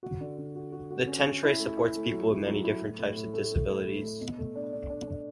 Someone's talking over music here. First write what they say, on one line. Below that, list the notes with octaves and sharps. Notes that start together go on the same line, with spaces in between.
The tentre supports people with many different types of disabilities.
F#4
D3
D3
F#4
F#4
F#4
C#4
C#4
E4
A3
E4
A3
F#3
E4
F#3
E4
A2
A2
A2
A3
A3
A2
A2
A3
B2
A3
D4
D4
D4
D4